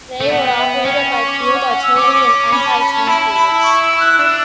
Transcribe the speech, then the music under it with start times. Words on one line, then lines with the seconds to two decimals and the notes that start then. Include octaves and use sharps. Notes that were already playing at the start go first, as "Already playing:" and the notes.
They were operated by field artillery and anti-tank units.
0.21 A3
0.29 B3 F#5
0.44 G5
0.58 E5
0.72 F#5
0.86 C#4 G5
1.13 C#6
1.27 D6
1.41 C#6
1.55 F#5
1.69 F#5
1.83 E6
1.96 C#4 D6
2.52 C#4 B5
2.66 A5
2.80 B5
2.94 A5
3.07 E4 B5
3.20 A5
3.34 B5
3.48 A5
3.63 C#6
3.82 E6
4.00 F#6
4.19 D4 E6